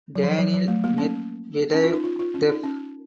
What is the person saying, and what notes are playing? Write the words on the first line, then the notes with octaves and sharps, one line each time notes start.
Daniil Medvedev def.
F#3
F3
F#3
F#3
A3
A#3
C#4
C#4
F4
D#4
F4
F4
C#4
D#4
C#4